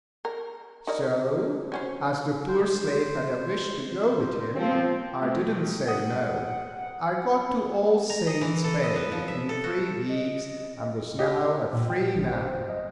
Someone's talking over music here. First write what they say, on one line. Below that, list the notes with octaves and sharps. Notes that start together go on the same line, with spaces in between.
So, as the poor slave had a wish to go with him, I did not say "no." I got to All Saints' Bay in three weeks, and was now a free man.
A#4
D#4 A#4 D5
F#3 C#4 C5
C5
F3 C4
B2 A3
F#5 G5 D#6
A#5
D#5
E3
A4
D#5
B3
F3
E5
A4
F#4
D#5
G4 D#5
A#2
G5
A1
C5
D#5